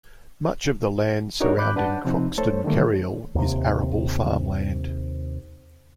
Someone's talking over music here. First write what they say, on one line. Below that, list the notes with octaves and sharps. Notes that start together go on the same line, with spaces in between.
Much of the land surrounding Croxton Kerrial is arable farmland.
D4 D#4 F#4 A#4 C#5
G#2 B5 D6 F#6 G6
D4 B4 F#5 A5
C3 F3 C4 D#4
A3 A4 C5 C#5
D3 D#3 G3 A3 A#3
D#2 C3